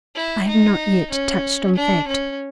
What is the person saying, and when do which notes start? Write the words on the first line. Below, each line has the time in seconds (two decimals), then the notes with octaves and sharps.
I have not yet touched on fact.
0.15 E4
0.47 D#4
1.11 C#4
1.76 D4
2.07 C#4